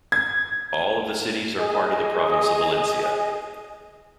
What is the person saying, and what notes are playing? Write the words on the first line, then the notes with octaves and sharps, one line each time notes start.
All of the cities are part of the province of Valencia.
G#6
G#4 D#5